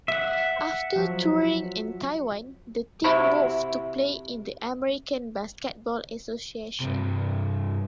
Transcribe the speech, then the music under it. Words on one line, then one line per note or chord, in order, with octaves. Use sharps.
After touring in Taiwan, the team moved to play in the American Basketball Association.
E5 F#5
F3 F#3
C3 E4 F#4
G2 C3